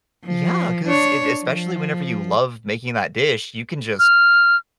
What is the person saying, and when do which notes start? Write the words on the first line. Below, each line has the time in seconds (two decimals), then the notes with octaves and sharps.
Yeah, 'cause it especially whenever you love making that dish, you can just
0.25 F3
0.87 D4 C#5
1.42 F3
3.99 F6